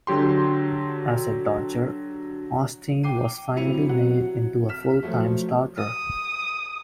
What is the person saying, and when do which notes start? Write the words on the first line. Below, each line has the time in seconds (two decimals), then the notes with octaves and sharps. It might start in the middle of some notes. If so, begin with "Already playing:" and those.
As a Dodger, Osteen was finally made into a full-time starter.
0.07 D3 F#3 G4 C6
3.03 G5 D6 C7 D#7
3.56 F#3 C4 E4 C#7 D#7 F7
3.89 C3 F#3 F#5
4.69 F6 B6 E7
5.03 F3 F#3 A3
5.78 D#6